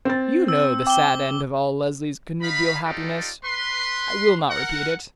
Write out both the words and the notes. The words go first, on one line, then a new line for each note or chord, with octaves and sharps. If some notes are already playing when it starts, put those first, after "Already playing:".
You know the sad end of all Lesleys connubial happiness; I will not repeat it--.
C4 A6
E6
G5 D6 G7
D#4 F5 B5
D#4 F4 G4 A4 D5
B4 C6
A#4 F#5